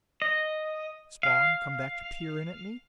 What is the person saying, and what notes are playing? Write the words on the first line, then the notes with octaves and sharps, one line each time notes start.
Spawn, come back to peer in at me?
D#5
F5